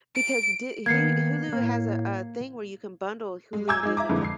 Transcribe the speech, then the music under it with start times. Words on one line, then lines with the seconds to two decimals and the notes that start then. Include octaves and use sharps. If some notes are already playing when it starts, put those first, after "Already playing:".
Because Di he Hulu has a a thing where you can bundle Hulu and Disney+.
0.16 D7
0.86 D#3 A#3 B3 G#6 C7 C#7
1.53 A2 A#3
3.53 G#3
3.68 G#5 A#5 D6 E6 G6 G#6
3.83 G#3 D#4
3.97 E5 A#5 D6
4.09 F2 G#2 D3 E3
4.24 C7